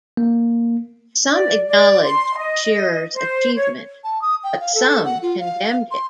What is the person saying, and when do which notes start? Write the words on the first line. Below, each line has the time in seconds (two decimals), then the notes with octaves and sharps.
Some acknowledged Shirer's achievement but some condemned it.
0.17 A#3
1.30 D5
1.67 D5
2.03 C6
2.36 D#5
3.14 C5
3.55 C#5
4.04 A5
4.22 D#6
4.44 G5
4.60 F5
4.75 A4
5.05 F#5
5.22 F4
5.40 F5
5.91 C6